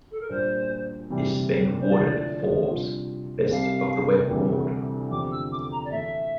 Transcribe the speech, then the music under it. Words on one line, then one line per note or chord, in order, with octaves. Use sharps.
It has been awarded Forbes' Best of the Web award.
A4
A#4
A#2 G3 A#3 D4 C5
C3 E3 G3
C5
D3 F3 A3 E4 D5
C3 G3 D4 F4
C2 C3 G3 F5
D2 C3 E3 G3
E2 D3 F3 C4 G4 D6
E6
D6
A#5
D5
A2 E3 A3 E5